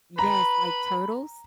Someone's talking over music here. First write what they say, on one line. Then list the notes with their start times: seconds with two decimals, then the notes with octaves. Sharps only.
Yes, like Turtles?
0.19 B4 A#5 B5